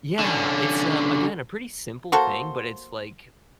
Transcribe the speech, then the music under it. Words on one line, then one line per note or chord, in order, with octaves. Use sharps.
Yeah, it's, um, again, a pretty simple thing, but it's like,
D3 C#4
A#3 F#4 A4 C5